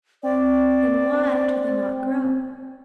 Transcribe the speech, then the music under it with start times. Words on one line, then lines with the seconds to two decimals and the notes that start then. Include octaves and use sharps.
Then why do they not grow?
0.23 C4 D5